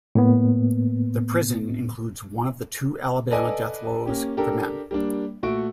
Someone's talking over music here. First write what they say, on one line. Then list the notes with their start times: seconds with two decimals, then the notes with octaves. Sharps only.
The prison includes one of the two Alabama death rows for men.
0.15 A2 A#3 B3
3.31 A4 B4 D5 D#5 G#5
4.06 A#3 C#4 G4
4.37 D4 G4 A4 A#4
4.91 G3 A#3 D4
5.43 A#2 A3 F#4 C#6 D7